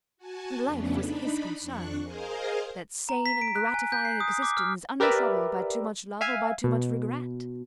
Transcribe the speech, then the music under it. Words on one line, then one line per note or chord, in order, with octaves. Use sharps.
And life was his concern: that sane and gratifying existence untroubled by too much love or by too much regret.
F#4 G#5 A5
F2 C#3 A3 B3 C#4 D4
D4 D#4 B5
F2 D4 C#6 F#6
G#4 A#4 C5 D#5 F5 G#5
A#5
B6
D7
F#6
G#5
G6
C7
D#6
D6
F6
G4 A#4 B4 D5 E5
E5 F5 G#5
B2